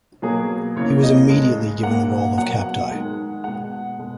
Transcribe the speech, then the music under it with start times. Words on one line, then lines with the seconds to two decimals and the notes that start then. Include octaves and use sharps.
He was immediately given the role of captai.
0.22 B2 F#3 A#3 G#4
0.76 C#3 E3 A#3 C#5
1.03 D#5
1.29 C#3 G#3
1.83 A#2 A#3 F#5
2.37 B2 F#3 A#3 F#5
2.91 D#3 G#3
3.44 B2 G#3 F#5
3.98 B2 G#3